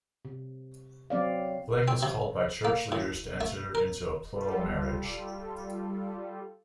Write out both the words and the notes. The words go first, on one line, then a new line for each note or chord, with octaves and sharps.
Flake was called by Church leaders to enter into a plural marriage.
C3
F#3 C4 D5 F5
C4
C3
A#3
A2
A3
A#4
G3 F4 A4